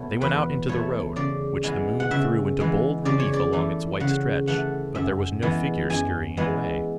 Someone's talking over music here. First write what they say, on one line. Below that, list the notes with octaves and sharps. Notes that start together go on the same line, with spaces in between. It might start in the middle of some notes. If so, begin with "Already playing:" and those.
They went out into the road, which the moon threw into bold relief along its white stretch, but there was no figure scurrying away.
Already playing: B2 A3 C#5
E2 B4
B2 A3 C#5
C#3 D5
E3 G#3 B3
F#5
C#3 E5
E3 G#3 B3
C#3 D5
C#5
D5
E3 A3
C#3 F#5
E3 A3 F#5
F#2 E5
E3 G#3 B3
F#2 G#5
E3 G#3 B3